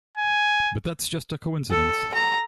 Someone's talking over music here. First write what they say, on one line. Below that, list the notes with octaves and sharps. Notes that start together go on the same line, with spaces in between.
But that's just a coincidence!
G#5
A4
A#5